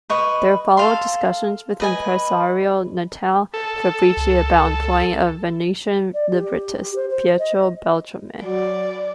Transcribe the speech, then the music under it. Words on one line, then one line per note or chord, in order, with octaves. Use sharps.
There followed discussions with impresario Natale Fabbrici about employing a Venetian librettist, Pietro Beltrame.
B4 D#5 C#6
A4 F5 C6
B4 D#5 G#5
A4
C#2
D5
G4
C5
C5
D#5
F#3 F#4 D5